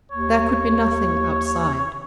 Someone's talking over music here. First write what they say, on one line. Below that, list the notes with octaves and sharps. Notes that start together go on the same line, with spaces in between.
There could be nothing outside.
D#2 C#5